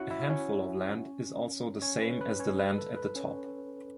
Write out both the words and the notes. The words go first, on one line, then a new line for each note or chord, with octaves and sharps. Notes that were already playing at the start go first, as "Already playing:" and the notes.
A handful of land is also the same as the land at the top.
Already playing: C#4 E4 F#4 C#5 E5 F#5
E4 E5
C#4 C#5
C#4 C#5
B4
B4
C#4 C#5
B4
A4
B4
C#4 C#5